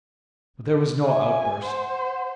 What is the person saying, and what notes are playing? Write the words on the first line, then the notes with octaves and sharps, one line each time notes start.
But there was no outburst.
E5 G#5
C5 F#5